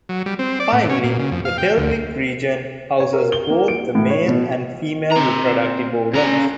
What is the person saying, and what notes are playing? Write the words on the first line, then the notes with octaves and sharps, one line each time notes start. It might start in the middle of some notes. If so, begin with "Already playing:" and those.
Finally, the pelvic region houses both the male and female reproductive organs.
F#3
G3
C4
D5
A2
C#4
A#2
C#3
F2
F5
G5
D2
C#5
A#4
G7
A#3
D7
A2
C#5
B2
C4 A#5
C#3 A#5